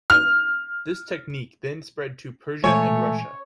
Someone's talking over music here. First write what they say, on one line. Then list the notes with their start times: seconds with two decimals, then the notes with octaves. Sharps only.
This technique then spread to Persia and Russia.
0.10 F6
2.64 A#2 E3 G#3 A3 C#5 G#5